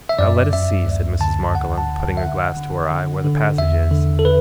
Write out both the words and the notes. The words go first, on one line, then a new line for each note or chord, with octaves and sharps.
'Now let us see,' said Mrs. Markleham, putting her glass to her eye, 'where the passage is.
E5
F#2 D5
F#2 E5
D2
D3 A5
D2 F#5
A5
D3
F#5
E5
D3 F#5
D3
D3
D3
E2 E5
D3
A4
B4